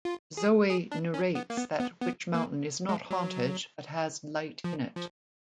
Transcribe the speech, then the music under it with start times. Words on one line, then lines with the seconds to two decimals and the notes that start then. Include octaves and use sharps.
Zoe narrates that Witch Mountain is not haunted but has light in it.
0.05 F4
0.37 G#4
0.70 G#4
0.92 D4
1.14 C#4
1.35 B3
1.50 A#3
1.57 B3
1.80 B3
2.01 B3
2.34 A#3
2.89 G#3
3.11 F#3
4.64 F3
4.96 F3